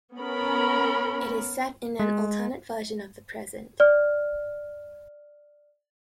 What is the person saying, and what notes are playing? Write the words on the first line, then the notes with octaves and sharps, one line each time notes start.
It is set in an alternate version of the present.
B3 C#4 A#4 B5
G#3
D5 F6